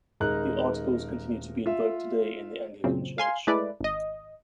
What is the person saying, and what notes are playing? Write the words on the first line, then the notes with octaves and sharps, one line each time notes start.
The Articles continue to be invoked today in the Anglican Church.
D#1 G#3 D#4 A#4 F#6
F4 E5
F#2 A#2 C#3 C4
F5 G#5 C6
G#3 A3 E4 B4 D5
G#1 D#5